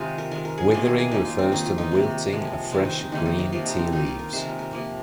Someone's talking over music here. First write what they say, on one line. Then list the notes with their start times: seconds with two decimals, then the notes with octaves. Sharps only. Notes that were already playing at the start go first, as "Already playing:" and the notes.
Withering refers to the wilting of fresh green tea leaves.
Already playing: C3 D#3 G#3 D#4 F4 G#4
0.18 A#4
0.31 D#3 G#3 A#4
0.45 A#4
0.58 G#4
0.71 C3 D#3 A#3 F4
0.85 G#4
0.98 G#4
1.11 D#3 A#3 D#4
1.25 F4
1.39 C4
1.52 D#3 A#3 D#4
1.66 F4
1.78 D#4
1.92 C3 D#3 A#3
2.33 C3 F3 G#3
2.72 D#3 G#3 C4
2.85 D#4
2.99 C4
3.12 C3 D#3 A#3 D#4
3.26 D#4
3.39 D#4
3.53 C3 F3 A#3 F4
3.66 D#4
3.79 C4
3.92 D#3 A#3 D#4
4.06 F4
4.19 A#4
4.33 C3 D#3 G#3 C5
4.46 A#4
4.59 A#4
4.73 C3 F3 A#3